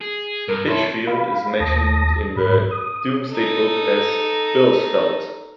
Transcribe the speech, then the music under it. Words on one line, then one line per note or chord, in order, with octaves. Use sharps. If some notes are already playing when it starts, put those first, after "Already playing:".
Bitchfield is mentioned in the "Domesday Book" as "Billesfelt".
G#4
G2 A#4
C2 E4 A4 C#5 C6
F5 B5
D#2 A5 D#6 A#6
G#2 B5
D#6
D#4 A4